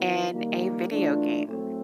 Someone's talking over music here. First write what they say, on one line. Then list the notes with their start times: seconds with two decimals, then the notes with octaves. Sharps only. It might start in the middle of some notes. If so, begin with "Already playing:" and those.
in a video game.
Already playing: D#3 F#3 B3 E4
0.32 D#3 G3 A#3
0.88 E3 A3 D4 F4
1.44 A2 F#3 A3 C4